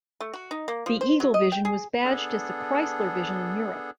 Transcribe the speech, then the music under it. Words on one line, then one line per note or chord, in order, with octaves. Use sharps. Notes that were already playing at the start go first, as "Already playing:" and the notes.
The Eagle Vision was badged as the Chrysler Vision in Europe.
A3
F#4
D#4
A#3
F3
C5
F#3
D#5
G5
G#4
B3 D4 G#4 A4